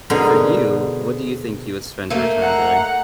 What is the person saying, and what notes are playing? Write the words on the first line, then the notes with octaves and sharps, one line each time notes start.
for you, what do you think you would spend your time doing?
B2 D3 D#4 G#4 A#4 C5
A3 A#3 D#4
F#5 A#5